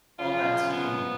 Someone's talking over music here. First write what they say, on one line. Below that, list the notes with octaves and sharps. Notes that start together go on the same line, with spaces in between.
on that team
F#2 C#3 F3 F4
B3